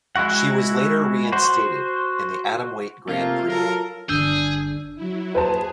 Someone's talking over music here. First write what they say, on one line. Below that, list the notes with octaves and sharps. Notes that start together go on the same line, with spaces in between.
She was later reinstated in the Atomweight Grand Prix.
G#3 E4 F#4 F#5
F#4 C5
C3 A3 A#3 F4
F#3 A4 A#4
G1 D4 G#4 E6 G6
F#3 E4
G#4 B4 C5 A5